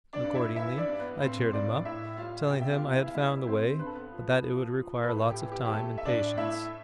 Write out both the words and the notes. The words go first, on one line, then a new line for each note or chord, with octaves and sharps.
Accordingly, I cheered him up, telling him I had found a way, but that it would require lots of time and patience.
D4 D5
G2
E4 E5
E3 E4 E5
D4 D5
G2
B3 B4
A2 C4 C5
A2 D4 D5
A2 E4 E5
G3 F4 F5
C3 G4 G5
E5
F4 F5
E2
E4 E5
F5
G3 E4 E5
C3 C4 C5
G2 B4
A4
B3 B4
F3
F3
F3
B4
A2 A4
G4
E3
G4
G4
A3 A4
E5
A2 D4 D5
A3 E4 E5